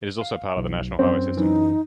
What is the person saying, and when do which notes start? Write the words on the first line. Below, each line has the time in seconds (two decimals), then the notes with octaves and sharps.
It is also part of the National Highway System.
0.21 F5
0.57 B1
0.99 F#2 C4
1.37 F#2 E3 F#3 D#4